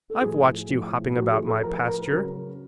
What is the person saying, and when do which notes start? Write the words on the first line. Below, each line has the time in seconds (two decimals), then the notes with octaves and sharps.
I've watched you hopping about my pasture.
0.10 A4
0.21 A2 F3 G#4
0.69 A2 F3
1.16 A2 F3 F#4
1.32 G#4
1.47 A4
1.63 A2 F3 A#4
1.75 B4
1.87 A#4
1.99 B4
2.10 C#3 F#3 A#4